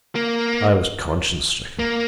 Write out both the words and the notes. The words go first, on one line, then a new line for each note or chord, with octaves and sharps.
I was conscience-stricken.
A#3
A#3